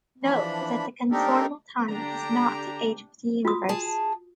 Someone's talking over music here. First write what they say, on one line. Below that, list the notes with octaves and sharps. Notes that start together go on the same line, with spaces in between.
Note that the conformal time is not the age of the universe.
E3 F3 D4 B5
C4 D4 D#4 G4 A4 A#4
D3 D4 G4 A#5
F4 F#4 D#6
G#4 A5